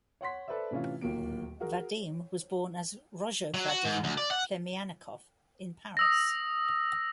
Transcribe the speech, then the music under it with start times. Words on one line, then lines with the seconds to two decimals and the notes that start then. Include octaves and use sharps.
Vadim was born as Roger Vadim Plemiannikov in Paris.
0.21 C#5 F#5 C6 B6
0.48 A4 B4 C5 D5 E5
0.71 A2 C3 E3 C#4 F4
1.01 D1 D#2 A#2 F#3 A#3 D7
1.60 F#4 G#4 A#4
3.54 F#3
3.68 F#4
3.85 G#2
4.04 D2
4.18 D5
4.31 F#5
5.97 D#6 E6 A#6